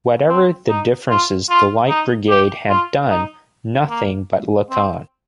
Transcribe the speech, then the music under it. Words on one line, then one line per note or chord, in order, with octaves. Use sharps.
Whatever the differences the Light Brigade had done nothing but look on.
C4
D#4
F4
F4
D#4
G4
F4
D#4
A#3
C4